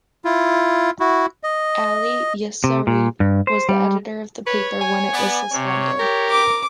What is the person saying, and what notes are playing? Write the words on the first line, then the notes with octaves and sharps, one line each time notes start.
Ali Yasseri was the editor of the paper when it was suspended.
E4 F4
E4 F#4
D#5
C3
A#2
G2
C5
G3
B4 C#5
G#5
B3 D5
C3 C#5
G4 A#4
D6